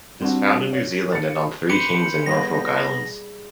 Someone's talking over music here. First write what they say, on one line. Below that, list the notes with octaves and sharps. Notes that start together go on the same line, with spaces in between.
It is found in New Zealand and on Three Kings and Norfolk Islands.
G3 C4 D4 F#4
C#5
A6 C#7
G4 B4 C5 C#7
G3 B3 E4 G#4 A#6